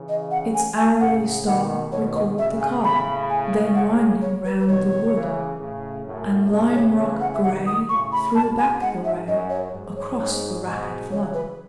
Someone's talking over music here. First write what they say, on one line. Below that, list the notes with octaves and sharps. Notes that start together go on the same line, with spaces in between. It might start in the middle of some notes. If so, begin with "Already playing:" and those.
Its arrowy star recalled the car Then winding round the wood, And lime-rock gray threw back the ray Across the rapid flood.
Already playing: C#3 E3
D#5
F#5
G#5
G#5
A2 C#3 F#5
B2 D#3 F#5
B2 D#3 C#5
D#5
A2 C#3 E5
G#5
B5
G#5
F#5
C#5
B4
B4
B2 D#3 C#5
C#3 E3
A2 C#3
F#2 A2
A2 C#3 D#5
C#5
C#3 E3 C#5
F#5
E5
B2 D#3 F#5
D#6
A2 C#3 C#6
B5
G#2 B2 A5
G#5
G#2 F#5
E5
F#2 D#5
C#5
G#2
C#5
G#2
G#2 B2
C#3 E3 C#5
B4